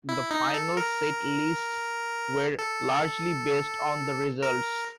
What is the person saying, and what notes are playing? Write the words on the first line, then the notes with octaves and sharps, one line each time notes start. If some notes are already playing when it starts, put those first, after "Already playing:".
The final set lists were largely based on the results.
E4
D#4
A4
A#4
A4
A#4